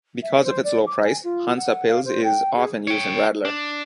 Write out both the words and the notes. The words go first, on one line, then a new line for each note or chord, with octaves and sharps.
Because of its low price, Hansa Pils is often used in Radler.
E5
C5
D5
D6
G#5
F4
F#5
F5
C5
G5
G#4
C#5 G5
D4